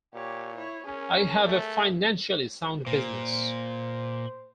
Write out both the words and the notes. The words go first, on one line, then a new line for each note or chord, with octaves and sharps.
I have a financially sound business.
A#2 G4 C#5
E4 C#5
C#4 G#4 A#4
A3
A#2 C5